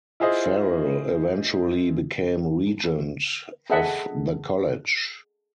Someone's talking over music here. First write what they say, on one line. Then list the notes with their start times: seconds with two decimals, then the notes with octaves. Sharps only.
Farel eventually became regent of the college.
0.20 E4 F4 G#4 C5 D#5
3.70 G#4 A4 D#5 E5 F#5